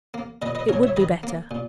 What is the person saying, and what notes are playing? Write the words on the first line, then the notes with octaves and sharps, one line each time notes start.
It would be better.
A#3
A#2 B4 D#5
B4 D#5
A#2 A#4 C#5
C#5 E5
D#3 B4 D#5
A#3
A#2